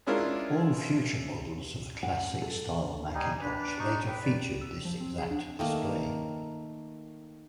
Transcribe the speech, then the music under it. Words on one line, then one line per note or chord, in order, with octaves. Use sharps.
All future models of the Classic style Macintosh later featured this exact display.
G#3 C#4 D4 E4 F4 A#4
F#5
A4
G3 D#4 G#5
D4 B4
D#4 C#6
B4 G5
D5
E6
F3
C4
G#4
D4
D#3 A3 A#3